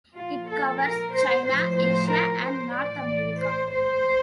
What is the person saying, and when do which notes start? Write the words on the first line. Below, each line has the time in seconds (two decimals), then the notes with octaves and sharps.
It covers China, Asia and North America.
0.16 A#2 F3 F4
0.49 A4
0.81 A#4
1.14 C5
1.46 A2 F3 C5
1.78 C5
2.11 A#4
2.43 C5
2.76 A2 E3 D5
3.40 C5
3.73 C5